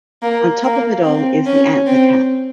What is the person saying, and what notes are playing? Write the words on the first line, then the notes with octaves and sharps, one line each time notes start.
On top of it all is the anther cap.
A#3
A#3
C4
C#4
C4